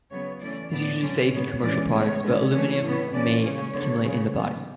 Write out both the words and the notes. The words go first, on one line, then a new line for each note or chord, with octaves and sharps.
It is usually safe in commercial products, but aluminium may accumulate in the body.
C#3 F#3 B3 C#5
E3 A3 C#4 D5
A2 G#3 B3 D5
D3 F#3 C#4
A2 G#3 B3 C#5
E3 G#3 C#4 D5
C#3 G#3 B3 C#5
D3 G#3 B3
E3 A3 C#4 C#5
A2 E3 B3
C#3 E3 A3 C#4 D5
C#3 G#3 C#4 C#5
D3 G#3 B3
C#3 G#3 B3
B2 F#3 B3